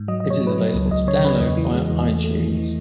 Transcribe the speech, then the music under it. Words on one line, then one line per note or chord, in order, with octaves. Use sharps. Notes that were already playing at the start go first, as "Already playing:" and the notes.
It is available to download via iTunes.
Already playing: G#2
F#3 D#5
B2 D#5
C#5
F#3
B4
C#5
F#3
C#2
C#2 D#5
C#3 C#5
C#3 B4
E2 D#5
E3
G#3
E2
A3
A3
E3
E3